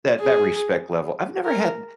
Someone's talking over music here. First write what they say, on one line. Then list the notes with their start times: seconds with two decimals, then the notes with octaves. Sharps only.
That that respect level, I've never had
0.20 G#4
1.45 A#4